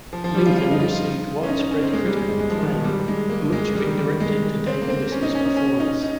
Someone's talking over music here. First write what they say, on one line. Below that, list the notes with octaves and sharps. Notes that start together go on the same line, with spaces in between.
"Lincoln" received widespread critical acclaim, much of it directed to Day-Lewis's performance.
F3
F3
G3
F4
F4
D#4
F4
C#4
D#4
D#4
C#4
C4
G#3
G3
G#3
G#3
G#3
F3
D#3
F3
G3
G#3
A#3
G#3
G3
D#3
G3
G#3
C4
A#3
C4
C#4
D#4
C#4
D#4
C#4
D#4
D#4